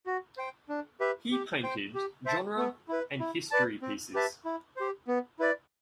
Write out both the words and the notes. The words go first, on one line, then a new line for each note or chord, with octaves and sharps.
He painted genre and history pieces.
F#4
C5 G5
D4
G4 B4 E5
G4
C5 G5
G4
C5 E5 A5
B3
E4 B4
E4
B4 D5 A5
C4
G4 B4 E5 A5
E4
G4 C5
B3
E4 B4 D5